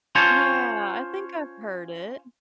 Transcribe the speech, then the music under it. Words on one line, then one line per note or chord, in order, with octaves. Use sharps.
Yeah, I think I've heard it.
C#4 F4 C5 C#5 A5